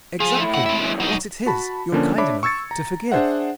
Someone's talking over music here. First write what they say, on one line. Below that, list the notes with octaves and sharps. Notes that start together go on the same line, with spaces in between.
"Exactly what it is you're kind enough to forgive."
F3 G#4
A3 E4
C#2 F#5
G#3 E5
F#2 E3
F#3 D#4
F#4 A5 B5
D3 F3 A#3 C#4 D4
D4 C#5 E5 B5 D6
C#6 E6 G#6 A6 C#7
A#5
D4 G#4 C5 E5 F#5